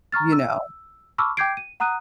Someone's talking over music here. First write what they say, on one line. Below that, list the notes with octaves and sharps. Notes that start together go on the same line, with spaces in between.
you know
A#5 C#6 F6 A6
E6
A5 B5 C#6 D6 E6 F6
G5 D6 G6 G#6 C7 D7
D#7
F#5 A#5 D#6 F#6 D#7